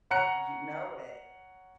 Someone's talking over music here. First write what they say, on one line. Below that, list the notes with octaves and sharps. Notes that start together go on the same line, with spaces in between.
You know it.
C#5 F#5 A#5 F#6 C#7